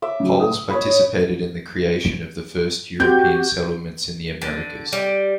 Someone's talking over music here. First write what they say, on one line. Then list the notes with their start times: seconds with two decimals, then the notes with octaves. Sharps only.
Poles participated in the creation of first European settlements in the Americas.
0.02 E5 D6
0.20 C#3 F#3
0.40 D#6
0.69 C#5 D#5 B5
3.00 C4 F#4 G4 G6
4.42 D3
4.93 G3